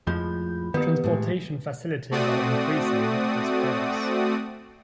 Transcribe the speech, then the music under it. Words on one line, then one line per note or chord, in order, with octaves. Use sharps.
Transportation facilities are increasing, but sparse.
F2 A2 F3 G#3 B5 G6
D#3 A#3 B3 G4 B4
A2 G#3
A3 C4 F#4 D5 D#6